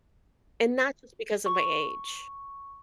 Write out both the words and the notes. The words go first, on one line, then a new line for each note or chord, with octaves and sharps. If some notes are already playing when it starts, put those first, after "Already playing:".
and not just because of my age.
C#6